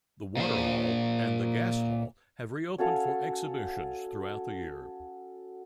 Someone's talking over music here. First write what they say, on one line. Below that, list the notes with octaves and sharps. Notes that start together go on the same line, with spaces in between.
The Waterhall and the Gas Hall have reopened for exhibitions throughout the year.
A#2 C5
C#4 F#4 A4 F5